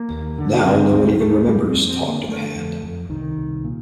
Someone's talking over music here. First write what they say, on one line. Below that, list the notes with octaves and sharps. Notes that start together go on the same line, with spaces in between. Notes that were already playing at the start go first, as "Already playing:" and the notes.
Now no one even remembers 'Talk to the hand'.
Already playing: A#3
D#2
D3
D3 C4
D#2 C4
D#2 A3
F2 G3
C4
F2
C4
D3
A#3
D3 A3
F2
F2
C2 D#3
C2
A#2